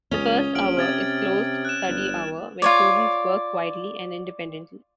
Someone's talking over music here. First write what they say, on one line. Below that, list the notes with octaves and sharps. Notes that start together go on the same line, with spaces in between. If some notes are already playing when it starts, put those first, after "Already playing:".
The first hour is "closed study hour" where students work quietly and independently.
C#2 C#4 D#6 G7
A#1 F6 D7 F#7
C3 F6 G#6 A6
F#6 E7
G1
F4 C#5 D5